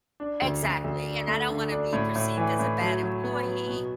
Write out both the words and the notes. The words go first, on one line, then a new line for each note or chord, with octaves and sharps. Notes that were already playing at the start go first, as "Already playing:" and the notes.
Exactly, and I don't wanna be perceived as a bad employee,
D4
D2
D2
D2
D4
A3
D3
D4
A2
A2
E3
A2
F#3
F#3
B3
F#3
B2